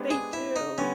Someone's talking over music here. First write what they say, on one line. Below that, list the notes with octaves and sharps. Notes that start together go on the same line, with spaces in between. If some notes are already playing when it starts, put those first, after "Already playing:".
They do.
Already playing: G#3 B3 D4 G4 C5
G#4
E4
D#4
D3 G3 B3 C#4